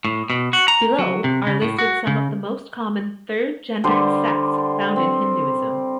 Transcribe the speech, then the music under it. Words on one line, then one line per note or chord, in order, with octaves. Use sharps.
Below are listed some of the most common third-gender sects found in Hinduism.
A2
B2
F#4
A#5
F#3
C3
C#3
A2
F#4
C#3
D3 G3 C5
C4